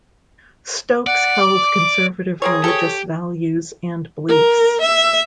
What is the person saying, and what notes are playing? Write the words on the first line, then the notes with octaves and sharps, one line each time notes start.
Stokes held conservative religious values and beliefs.
D5 F#5
D6
A#3 C4 G#4 C#5
G4 A4 C#5
A#4
E5